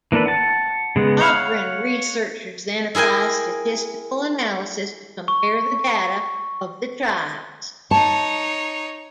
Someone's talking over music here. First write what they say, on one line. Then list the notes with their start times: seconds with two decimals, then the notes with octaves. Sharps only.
Cochrane Researchers then apply statistical analysis to compare the data of the trials.
0.12 E3 A#3 D4 A4 B4
0.26 F#5 A5
0.96 C#3 G#3 B3
1.21 C#5 F5 F#5 F6
2.95 E4 G#4 A#4 G5 G#5
5.28 C#6
7.91 D#4 C#5 A5